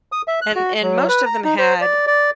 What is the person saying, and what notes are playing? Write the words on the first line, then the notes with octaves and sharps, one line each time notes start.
and and most of them had
D#6
E5
F#6
F#4
F#3
B4
A#5
D#4
C5
D5
D5